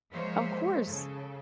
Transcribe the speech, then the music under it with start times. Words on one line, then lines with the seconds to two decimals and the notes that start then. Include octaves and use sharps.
Of course.
0.11 F3 G#3 A#3 C5 C#5 E5
0.85 C#3 A4